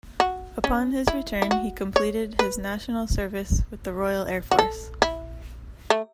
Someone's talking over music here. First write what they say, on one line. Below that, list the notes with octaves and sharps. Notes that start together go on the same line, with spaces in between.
Upon his return, he completed his National Service with the Royal Air Force.
F#4
C#4
E4
E4
F#4
C#5
B4
F#4
A4
E4
A3